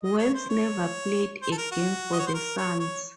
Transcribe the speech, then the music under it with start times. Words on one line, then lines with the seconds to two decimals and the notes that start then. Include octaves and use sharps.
Wells never played a game for the Suns.
0.03 D#5
0.18 C#5
0.34 C5
0.49 C#5
1.42 C5
1.52 A4
1.58 A#4
1.72 F#4
2.13 D#5
2.19 C#5
2.27 C5
2.34 A#4
2.58 C#5
2.79 C#5